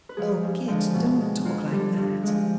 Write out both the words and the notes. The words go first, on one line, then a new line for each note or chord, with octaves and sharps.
'Oh, Kit, don't talk like that.'
B4
F3 G#3 G#4
G2
D3 F3 G#3
B2
G#3
F2 F4
D3 G3
G2
F3 G#3